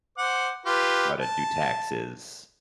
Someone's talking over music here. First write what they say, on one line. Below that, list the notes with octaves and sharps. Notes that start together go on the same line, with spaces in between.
How to do taxes.
C5 F#5 D6
F4 G4 B4
A5